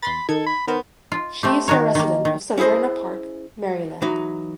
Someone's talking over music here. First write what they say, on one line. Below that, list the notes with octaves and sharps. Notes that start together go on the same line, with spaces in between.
She is a resident of Severna Park, Maryland.
E2 B5 C6 A6
D#3 D#4 A4 G#6
B5
D#3 B3 A#4 C5
F4
A3 C4 G4
D#3 F#4 A#4 C#5
D#3 A#3
D#3
C#4 E4 G#4 C5 D#5
E3 F#3 D#4